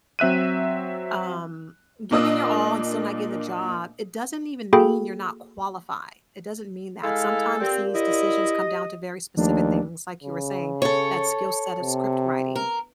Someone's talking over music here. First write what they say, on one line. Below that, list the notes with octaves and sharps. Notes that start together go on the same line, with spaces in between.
um, giving your all and still not getting the job, it doesn't even mean you're not qualified, it doesn't mean that. Sometimes these decisions come down to very specific things, like you were saying, that skill-set of script writing.
F#3 C4 E5 F#6 D#7
A#2 A#3 D4 D#5 D#6 E6
A#3 F#4 G#4 A4 G5 B5
G#3 E4 G#4 A4 F5
A#2 C4 G4
E4 D#5
D#2 F3 A3 D4
C#3
A4 C#5
C3
A#4